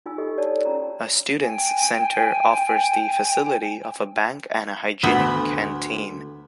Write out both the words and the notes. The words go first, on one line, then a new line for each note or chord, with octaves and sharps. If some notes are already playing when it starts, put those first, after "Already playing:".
A Students' Centre offers the facility of a bank and a hygienic canteen.
D#4 F4 G#5 E6
G4 A4 D#5
C#5 D5 A5
C#4 F4 A#5
G5 G#5
D2 B3 E5